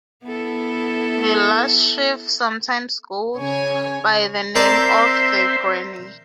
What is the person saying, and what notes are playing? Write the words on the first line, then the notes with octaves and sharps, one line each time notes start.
"The last sheaf sometimes goes by the name of "The Granny"."
B3 E4 A4
C#3 C#5 G#5
C4 A#4 C5 D5 E5 A5